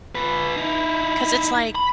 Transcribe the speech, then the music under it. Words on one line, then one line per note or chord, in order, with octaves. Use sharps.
'cause it's like
F4 B4
D#4 E4
B5